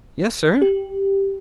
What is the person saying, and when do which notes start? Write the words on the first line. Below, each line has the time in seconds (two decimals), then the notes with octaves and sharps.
"Yes, sir."
0.62 G4